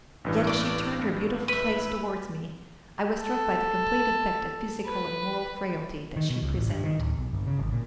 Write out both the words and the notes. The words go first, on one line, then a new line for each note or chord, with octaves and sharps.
Yet, as she turned her beautiful face towards me, I was struck by the complete effect of physical and moral frailty that she presented.
A1 G2 E3
D5 D6
B4 E5
A4
B4
D#3
B2
C#2
A1
G2
D#3
D1
B1
G1
C#3
G#1
A#2